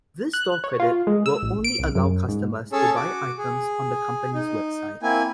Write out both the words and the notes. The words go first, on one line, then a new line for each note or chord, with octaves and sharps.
This store credit will only allow customers to buy items on the company website.
F#6
C#5
F4
G#3
E6
A1
D7
C2
F#2
G#2
C#4 G#4 A4 C#5 A5 E6
F#4 D6
G#4
D#4
A#3 C4 E4 G#5